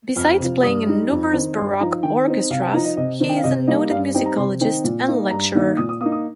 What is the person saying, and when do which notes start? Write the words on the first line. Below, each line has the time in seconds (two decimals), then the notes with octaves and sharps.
Besides playing in numerous baroque orchestras, he is a noted musicologist and lecturer.
0.16 F2 F6
0.40 C3 F3
0.63 G2 D#6
0.86 G3 D#4
1.10 F2
1.33 D#3 C4 D#4
1.57 G2 C6
1.80 F3 D#4 A#5
2.03 D#3 G5
2.27 C4 D#4
2.50 C3 F5
2.62 G5
2.73 F3 D#4 A#5
2.85 D#5
2.97 C3 D#5
3.20 D#3 C4 D#4
3.29 G5
3.36 F5
3.44 C3 D#5
3.67 G3 A#3 D#4 D#5
3.90 G2 F5
4.14 G3 C4 D#4 G5
4.26 A#5
4.37 C3 C6
4.61 D#3 C4 D#4 G5
4.84 A#2
5.08 A#3 D#4
5.31 G2 A#5
5.55 D#3 A#3 D#4
5.77 A#2 D#6
5.89 D#6
6.01 A#3 D#4 D#6
6.12 D#6